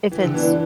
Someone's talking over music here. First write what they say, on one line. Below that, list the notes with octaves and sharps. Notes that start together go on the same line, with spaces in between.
if it's
E3 G3
D3
E3 B3 E4 B4 D5